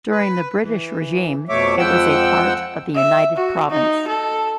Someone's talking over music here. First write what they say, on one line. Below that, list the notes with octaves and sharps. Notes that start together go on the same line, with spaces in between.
During the British regime, it was a part of the United Province.
B4
E3
F2 B2 A3 C#5 E5 D6
F2 F3 G#3 F#5 G5 E6
E5
F#4
D#4
A4